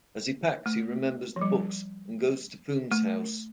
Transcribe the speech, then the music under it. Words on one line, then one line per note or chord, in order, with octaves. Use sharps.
As he packs, he remembers the books and goes to Funes's house.
A3
F3
G3
A3